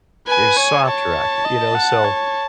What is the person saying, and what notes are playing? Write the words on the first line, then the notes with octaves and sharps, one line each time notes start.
there's soft rock, you know? So,
B4 G#5
C#5
C#5 A5
D#5
F#5
C#5